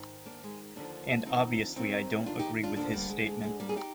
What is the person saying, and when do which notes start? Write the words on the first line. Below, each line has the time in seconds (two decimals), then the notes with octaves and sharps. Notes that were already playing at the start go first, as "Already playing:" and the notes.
And obviously I don't agree with his statement.
Already playing: G#2 D#3
0.26 A#3 D4
0.44 G#3
0.76 D#2 D3 F3 A#3 D4
1.26 C4 D#4
1.76 D#2 D#3 C4 D#4
2.26 D4 F4
2.39 D#4 G4
2.63 D4 F4
2.76 D2 D3 F3 A#3 D4
2.93 G3 A#3
3.10 G#3
3.26 G#3
3.44 G#3
3.60 G3 A#3
3.69 G#4
3.76 D#4 G4